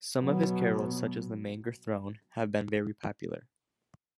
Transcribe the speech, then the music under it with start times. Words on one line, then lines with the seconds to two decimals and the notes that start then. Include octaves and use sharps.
Some of his carols, such as "The Manger Throne", have been very popular.
0.21 B2 F#3 B3